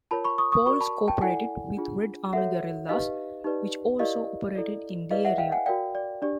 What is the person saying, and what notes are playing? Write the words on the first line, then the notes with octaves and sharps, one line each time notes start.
Poles cooperated with Red Army guerillas, which also operated in the area.
F4 A#4 C#5 A5 B5
B5 C#6
C#6 D#6
C#6 D#6
F#4 A#4 D5 B5 C#6
A5 B5
G5 A5
E4 A4 D5 F#5 G#5
D4 F4 G#4
F#4 A4 C#5 E5 F#5
D#4 G4 B4 D#5 F5
D#4 G4 B4 D5
E4 G4 A#4 D5 D#5 F5
E4 A4 D5
E4 G#4 B4 D5 D#5 F5
E5 F#5
F5 G5
F#5 G#5
F#4 A#4 D5 F5 G5
D5
D4 G4 D5